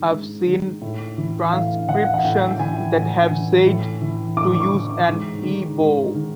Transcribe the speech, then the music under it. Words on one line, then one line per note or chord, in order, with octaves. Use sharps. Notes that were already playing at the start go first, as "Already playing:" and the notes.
I've seen transcriptions that have said to use an E-bow.
Already playing: G#2 D#3
G#2
D#3
A2
E3
A2 F5
E3 F#5
F5
F#5
A2 G5
G5
E3 G#5
A2 G#5
E3
A2
E3
A2 D6
D6
C#6
E3
G#2
D#3
G#2
D#3